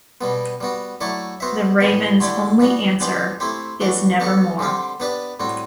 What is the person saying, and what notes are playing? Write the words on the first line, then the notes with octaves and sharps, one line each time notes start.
The raven's only answer is "Nevermore".
B2 G3 B3
G3 B3 F#4
F#3 A3 E4 A4 D5
B3 F#4 C5 E5
A2 E3 B3
D3 A3 E4 G4 D5
E3 G3 B3 F#4
E3 B3 D4 G4 C5
A3 C4 E4 G4 C5
E3 A3 D4 F#4
B3 D4 F#4 A4
D3 G3 C4 G4 C5
B3 D4 G4 B4 D5
A2 G3 C4 F#4